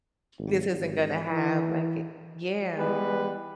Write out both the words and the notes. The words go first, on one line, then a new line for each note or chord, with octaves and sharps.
this isn't gonna have like a yeah.
G#1
G#1
E3
E3 G3 G#3 B3 B4